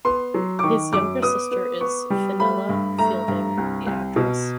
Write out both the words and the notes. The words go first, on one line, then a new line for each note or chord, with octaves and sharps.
His younger sister is Fenella Fielding, the actress.
B3 C6
F#3
D6
D#3 C#6
F#2 D6
B3 D#6
B3
B3 C#6
G3
A3 B5
G2
A3 A#5
G2
C2
C2
B2